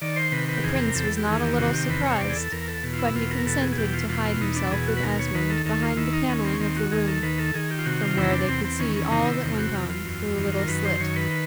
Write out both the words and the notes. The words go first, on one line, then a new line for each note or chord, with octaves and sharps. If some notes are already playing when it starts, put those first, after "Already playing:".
The prince was not a little surprised, but he consented to hide himself with Asmund behind the panelling of the room, from where they could see all that went on through a little slit.
D#3 D5
C5
C3 B4
B4
G4
E2 G#4
A#4
E2 A4
G4
D#3 G#4
G4
C3 F#4
G4
E2 B4
C#5
E2 D5
G#4
A4
E2 A#4
A4
B2
F4
E4
E2 F4
A#4
B2 A4
G#4
G#4
E2 G4
F4
B2 F4
F4
E2 D#4
D4
B2 G#4
F#4
B4
D#2 A#4
C#5
D#3 B4
A4
D#2 A4
F4
D#3 E4
D#4
D#2 C#4
C4
C#4
D#3 C4
F#4
D#2 G#4
A4
D#3 B4
A4
D#3 G#4
G4
F4
C3 F#4
F4
E2 E4
D4
E2 C4
C4
D#3 C#4
C#4
C3 D#4
E4
E2
F4
F#4
E2 F4
F4
F#2
D#3
A#4
F#2 B4
C5
D#3 C#5
B4